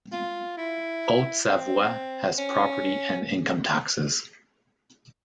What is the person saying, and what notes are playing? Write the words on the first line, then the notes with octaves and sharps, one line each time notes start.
Haute-Savoie has property and income taxes.
F4
E4
C4
C#4